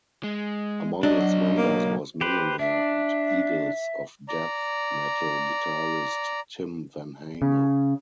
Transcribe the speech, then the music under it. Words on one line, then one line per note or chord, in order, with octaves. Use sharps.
Among its members was Millionaire and Eagles of Death Metal guitarist Tim Vanhamel.
G#3
B1 F#3 D4 D#5
A#3
G4 B4 C5
D4 E5
D5 A#5
C#3